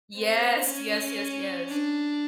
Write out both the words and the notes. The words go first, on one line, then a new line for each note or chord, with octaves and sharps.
Yes, yes, yes, yes.
C4
C#4
D4